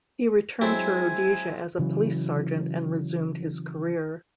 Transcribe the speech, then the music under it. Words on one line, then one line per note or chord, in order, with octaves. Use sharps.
He returned to Rhodesia as a police sergeant, and resumed his career.
F#3 G#3 C4 E4 G#5
C#3 E3 F#3